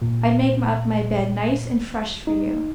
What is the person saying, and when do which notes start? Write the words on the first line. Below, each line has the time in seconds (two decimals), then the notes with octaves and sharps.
I'd make up my bed nice and fresh for you.
0.02 A#2
2.27 D#4